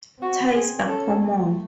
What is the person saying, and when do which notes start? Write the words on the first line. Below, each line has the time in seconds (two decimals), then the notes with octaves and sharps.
Ties are common.
0.22 C4 F#4
0.54 G#4
0.87 C#4 A4
1.20 A3